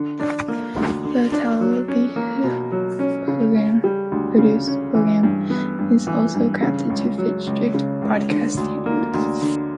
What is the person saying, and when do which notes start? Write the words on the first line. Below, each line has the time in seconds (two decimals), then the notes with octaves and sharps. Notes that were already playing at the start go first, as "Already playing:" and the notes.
The Televisa produced programming is also crafted to fit strict broadcast standards.
Already playing: D3
0.20 D4
0.48 A#3
0.76 D2
1.04 D3
1.32 D4
1.60 F#3
1.88 C#4
2.16 A#3
2.44 B2
2.72 F#3
2.99 C#4
3.28 C#3
3.55 C#4
3.84 G3
4.12 D2
4.38 C#3
4.67 C#4
4.95 E3
5.23 G2
5.50 B3
5.79 G2
6.07 E3
6.35 G2
6.62 C#3
6.90 C#2
7.18 F#3
7.47 C#2
7.74 C#3
8.02 C#2
8.30 D3
8.57 D2
8.86 A#3
9.14 D2
9.42 D3